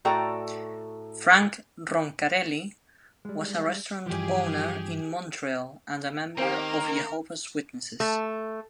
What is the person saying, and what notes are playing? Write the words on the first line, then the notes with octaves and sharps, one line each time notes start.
Frank Roncarelli was a restaurant owner in Montreal and a member of Jehovah's Witnesses.
A2 F#4 A4 D5 G5 A#5
G3 G#3
G2 E3 F3 G4 G#4
D#3 A#3 C4 G4 A#4
A3